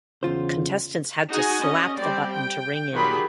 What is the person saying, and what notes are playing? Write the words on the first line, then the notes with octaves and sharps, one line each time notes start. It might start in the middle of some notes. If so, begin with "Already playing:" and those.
Contestants had to slap the button to ring in.
E2 C#3 F4 C5
D#4 F#4 G#4 D#5 F#5 G#5
C#4 D#5
G3 C4 G4 D5
G5
D#3 F#3 F4 G4 G#4 B5